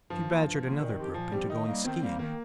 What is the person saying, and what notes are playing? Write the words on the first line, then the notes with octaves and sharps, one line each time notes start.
She badgered another group into going skiing.
G2 F3
D#3 A#3 F4
G2
D#3 A#3 F4
A#2 D#3
F3 C4 G4
A#2 F3
F3 G3 C4 G4
D#3 D#4
G3 A#3
D#3 C4
G3 A#3
D#3 A#3